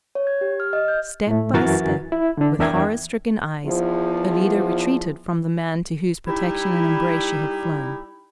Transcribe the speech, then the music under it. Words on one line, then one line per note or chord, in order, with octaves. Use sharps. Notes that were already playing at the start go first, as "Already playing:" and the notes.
Step by step, with horror-stricken eyes, Alida retreated from the man to whose protection and embrace she had flown.
C#5
G#6
G4
F6
D#5
G6
A2 A3
F#2 E3 F#4 A#4 G#5 A6
E4
D3 D4
E2 D4 A#4 E5 G5 G#6
E2 F3
G3 D#4 E4